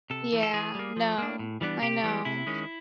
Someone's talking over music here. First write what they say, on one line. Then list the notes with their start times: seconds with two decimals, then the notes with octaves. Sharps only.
Yeah. No. I know.
0.10 C3 A4
0.33 E3 A3
0.43 A4
0.53 E3 G#4
0.75 G3 A#3
0.97 F3
1.18 A#3 D4
1.39 A2
1.61 E3 G3 B3 D4
1.82 C3 G4
2.03 E3 G3 B3
2.25 C3 E4
2.47 D#3 G#3 C#4